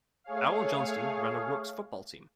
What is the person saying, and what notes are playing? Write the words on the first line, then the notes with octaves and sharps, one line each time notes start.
Arrol-Johnston ran a works football team.
A3 G#4 C#5 F5